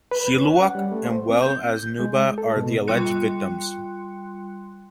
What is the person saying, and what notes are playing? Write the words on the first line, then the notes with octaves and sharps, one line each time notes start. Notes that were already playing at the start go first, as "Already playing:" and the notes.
Shilluk and well as Nuba are the alleged victims.
B4
C#4
F#5
G3
A3
C5
C4
G6
G6
G#3
A4
B2
G3 F4 G5 C6 F#6 C#7